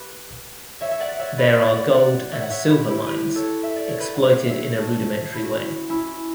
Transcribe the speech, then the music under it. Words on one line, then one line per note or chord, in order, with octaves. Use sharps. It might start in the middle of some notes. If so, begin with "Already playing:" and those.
There are gold and silver mines, exploited in a rudimentary way.
Already playing: G4 B4
C#5 E5
E5
D5 F#5
D5
C#5 E5
B4 D5
D5 F#5
D5 F#5
C#5 E5
F#5
C#5 E5
E4 G4
E4 G4
G4 B4
A4 C#5
E5
D5
C#5
B4 D5
F#5
C#5 E5
C#5 E5
D4 F#4
E4
F#4
C#4 E4
C#4 E4